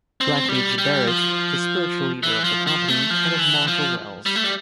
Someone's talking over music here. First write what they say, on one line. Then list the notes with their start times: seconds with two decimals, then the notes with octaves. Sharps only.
Blackleach Burritt, the spiritual leader of the company, and of Martha Welles.
0.21 C4
0.49 G3
0.78 G3
1.07 F3
2.23 E3
2.44 F3
2.67 F3
2.88 A3
3.10 F3
3.39 E3
3.68 F3
4.26 G3
4.35 A3
4.44 G3